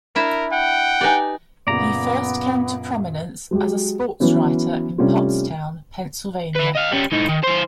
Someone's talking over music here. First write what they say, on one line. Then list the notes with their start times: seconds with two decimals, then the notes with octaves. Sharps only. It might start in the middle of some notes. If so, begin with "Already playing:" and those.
He first came to prominence as a sportswriter in Pottstown, Pennsylvania.
0.16 D4 E4 A#4 E5
0.52 F#5 G5
1.01 D#4 G4 B4 D5 G#5
1.67 F#2 A#2 C#3 B3 D5 A#5
3.51 F#3 G#3 F#4 G4
4.20 E3 F#3 B3 C#4
4.98 C3 G3 A3 C#4 D4 F4
6.56 E4 B4
6.76 D#5 F5
6.92 G3 C#4
7.12 A2 D#4
7.29 D#3
7.44 E3 C5